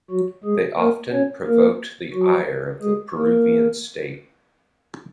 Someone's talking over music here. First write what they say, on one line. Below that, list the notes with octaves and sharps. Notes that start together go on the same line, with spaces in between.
They often provoked the ire of the Peruvian state.
F#3 F#4
G#3 G#4
A#3 A#4
C#4 C#5
A#3 A#4
F#3 F#4
G#3 G#4
A#3 A#4